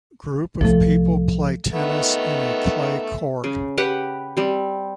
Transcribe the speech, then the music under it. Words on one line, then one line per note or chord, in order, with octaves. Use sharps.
Group of people play tennis in a clay court.
C2 A2 F3 A3 A4
D#3 A3 B3
C#3
G4 B4 F#5
G3 C4